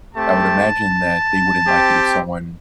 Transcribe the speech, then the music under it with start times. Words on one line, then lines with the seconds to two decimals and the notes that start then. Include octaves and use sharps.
I would imagine that they wouldn't like it if someone
0.14 A3 C4 G4 A5
1.66 C4 G4